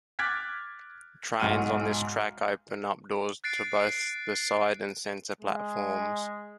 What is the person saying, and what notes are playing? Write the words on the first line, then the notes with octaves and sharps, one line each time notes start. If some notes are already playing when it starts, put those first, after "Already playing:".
Trains on this track open up doors to both the side and center platforms.
D6 F6 F#6 G#6 A6 B6
B1 G#2 G#3 F#4 F6 D#7
F#6 A6 C7 D7
G#3